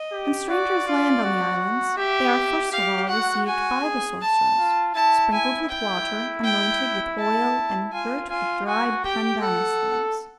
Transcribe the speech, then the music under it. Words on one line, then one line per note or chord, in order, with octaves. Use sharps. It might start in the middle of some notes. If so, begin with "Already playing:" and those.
When strangers land on the islands, they are first of all received by the sorcerers, sprinkled with water, anointed with oil, and girt with dried pandanus leaves.
Already playing: D#5
G4
F#4 D5
F4
F#4
G4 E5
G4 F5
F#4 F#5
F#4 G#5
G#4
A5
F4
E4 A5
E4 G#5
E4 G5
G5
A5
F4 G#5
F4 G#5
F#4 G#5
G4 G5
A4 F#5